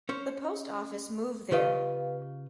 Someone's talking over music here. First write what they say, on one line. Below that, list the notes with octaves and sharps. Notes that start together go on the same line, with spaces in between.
The post office move there.
C#4 C5 C#5
C#3 F4 G4 B4 D#5 F5